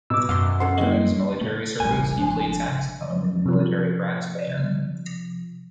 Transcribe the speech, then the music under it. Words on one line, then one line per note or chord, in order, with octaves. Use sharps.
During his military service, he played saxophone in the military brass band.
B2 D6 E6
F#2 F5 C6
C#4 A4 C5 F#5 C6
F#3 A#3 C4 E4 D#5
A3
D#1 A1 G3 G#5
G#1 F3 D4
C3 F3